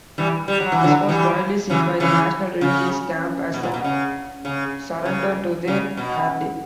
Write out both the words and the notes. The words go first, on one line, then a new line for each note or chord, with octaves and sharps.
This was widely seen by the National Religious camp as surrender to the Haredim.
E3 G3
G3
F#3
E3
D3 F#3
E3 G3
C#3 E3
C#3 E3
C#3
B2
A#2
B2
C#3
C#3
C#3
C#3
B2